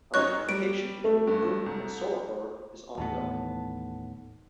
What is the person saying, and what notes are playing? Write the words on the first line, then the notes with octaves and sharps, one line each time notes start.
Electrification between Pune and Solapur is ongoing.
F#2 D#4 C#5 C#6 F#6
G3 D7
A3
G2
C2
D#2 A2 E3 B3 A5